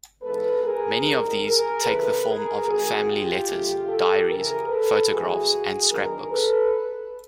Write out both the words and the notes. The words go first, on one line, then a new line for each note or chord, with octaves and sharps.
Many of these take the form of family letters, diaries, photographs, and scrapbooks.
G#2 E3 G#3 B3 A4 B4
G#4 A#4
D#3 G3 C4 D#4 G#4 A#4
G#4 A#4
C#3 E3 G3 C4 A4 B4
G#4 A#4
D#3 G#3 C4 D#4 F#4 G#4
F4 G4
F2 C3 D#3 F#3 A3
G4 A4
F2 C#3 E3 G#4 A#4
A4 B4
G2 E3 G#3 F#4 G#4
D#3 F#3 B3 D4 G#4 A#4
A4 B4